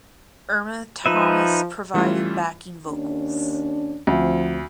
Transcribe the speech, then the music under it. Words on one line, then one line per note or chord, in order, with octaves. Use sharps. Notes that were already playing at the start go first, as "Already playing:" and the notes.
Irma Thomas provided backing vocals.
F3 D#4 B4 E5
E3 G3 A3 C#4 E4 F4
D#2 C#4 D4
D2 F3 C4